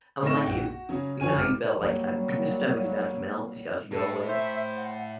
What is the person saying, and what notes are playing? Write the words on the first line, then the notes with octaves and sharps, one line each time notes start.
I was like you. You know how you felt like, "I've been to snow. It's got to melt. It's got to go away."
A2 C4 D#4 C#6 A#6 E7
A#1 F#5 G5
F#4
C#3 F#3 C#4
F3 C#5 G#5 D#7
G#1 D6 F6
F#3 G3 A#3
A2 A4
C5 E5
F#5